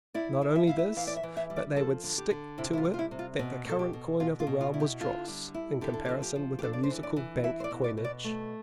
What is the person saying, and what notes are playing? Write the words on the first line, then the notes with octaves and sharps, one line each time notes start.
Not only this, but they would stick to it that the current coin of the realm was dross in comparison with the Musical Bank coinage.
E4 D5
E4
E5
E4 F5
E5
E3 F5
D5
E5
E3
E5
G3
D5
F3 A4
D3
G4
D3
C3 E4
E4
F4
G3
F4
E4
C3
F4
B2
B2 A4
G4
B2
B2 F4
F4
B2
F4
E4
G4
D3 F4
G3
E4
D3 G4
A4
G4
F3
G4
F3
G4
D4 A4
D5
C5
E3
D5
E3
E4 E5
C5
D5
B2
D5
B2
D5
A3